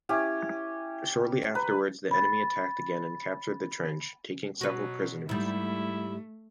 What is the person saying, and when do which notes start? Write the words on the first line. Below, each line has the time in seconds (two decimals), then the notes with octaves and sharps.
Shortly afterwards the enemy attacked again and captured the trench, taking several prisoners.
0.09 C#4 E4 G4 E5 G#6
1.55 B4 A#5
2.11 B5 A6
4.61 B2 F#3 F#4 B4
5.29 G#2 G3 A3 E4